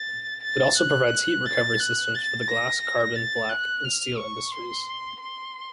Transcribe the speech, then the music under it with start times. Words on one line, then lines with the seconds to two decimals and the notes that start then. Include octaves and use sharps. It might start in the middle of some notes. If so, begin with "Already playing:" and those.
It also provides heat recovery systems for the glass, carbon black, and steel industries.
Already playing: A6
0.43 A6
0.78 F#6
1.46 A6
1.79 F#6
2.14 A6
2.48 A#6
2.81 A#6
3.15 A6
3.49 F#6
3.84 F6
4.17 C#6
4.52 C6
5.20 C6